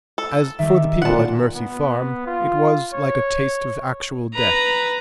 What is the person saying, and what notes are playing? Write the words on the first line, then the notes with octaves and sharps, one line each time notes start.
As for the people at Mercy Farm, it was like a taste of actual death.
A4
D#3 G3 E5
A#2 G3 B3 F4 F#5 A5
B3
F4
C#5
B4 A#5